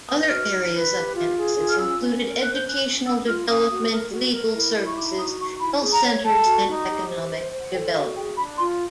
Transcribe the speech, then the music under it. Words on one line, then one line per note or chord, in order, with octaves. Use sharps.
Other areas of emphasis included educational development, legal services, health centers, and economic development.
B4 D#6
F#4 F6
D#4
B4
G4
F4
G#4
F4
F6
C#4 E6
C#4
A#4
C5 F#6
G6
C#4 F#6
C#4
C#4 E6
F4 F6
C#4 D#6
F#4
A#4
F#4
A#4
E4
E4
C#6
D#4 D6
F#4 D#6
D#4 C#6
E4 B5
G#4
A#5
C#5
A4 A5
F#4
D#4
G4
C5
C5
C5
F#5
A4 G5
E5
F#4 F5
G#4 G5
D4 B5
F4 C6